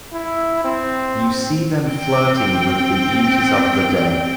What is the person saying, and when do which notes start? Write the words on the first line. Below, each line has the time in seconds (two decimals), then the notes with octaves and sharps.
You see them flirting with the beauties of the day.
0.13 E4
0.65 C4
1.89 C4 G5